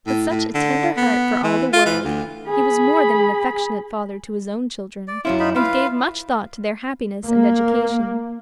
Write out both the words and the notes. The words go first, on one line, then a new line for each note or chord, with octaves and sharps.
With such a tender heart for all the world, he was more than an affectionate father to his own children, and gave much thought to their happiness and education.
A2
A2
D3
B3
E3
F4
E3
D2
G#4 B5
D5
F#2 C#4 E4 F4
D#4 F4 B5
E4 F4 B4 F5
A#3